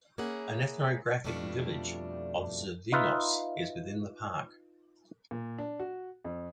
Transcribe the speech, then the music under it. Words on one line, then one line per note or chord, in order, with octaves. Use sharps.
An ethnographic village of Zervynos is within the park.
A#3 C#4 E4 G#4 F#5
F2 B2 G3 A3 D4 F4
D#4 F4 B4 E5
A#2
D4
F#4
F2